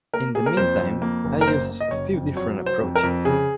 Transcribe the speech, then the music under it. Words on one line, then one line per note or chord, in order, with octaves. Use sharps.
In the meantime, I use a few different approaches.
A#3 A#4
A#3 G#4
A#4
F2 C5
F2
A#3
F#1
A#4
A#3 C5
A#3
D#5
F#1 C#5
F2
F#3 C#5
F#3
C5
F2
A#4
F2
C#3 G#4